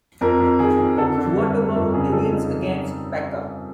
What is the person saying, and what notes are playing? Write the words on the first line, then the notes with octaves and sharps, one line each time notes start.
What about Higgins against Becca?
F2 A#4
F2
D#3 G#4
F2
D3 A4
D3
G2 B4
G2
F2 A#4
C#3 G#4
F2 A4
C#3 D#4